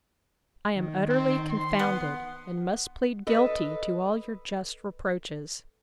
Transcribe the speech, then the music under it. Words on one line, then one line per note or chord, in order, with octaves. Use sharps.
'I am utterly confounded, and must plead guilty to all your just reproaches.
D#3
C4
C6
B3
A4 B4 D#5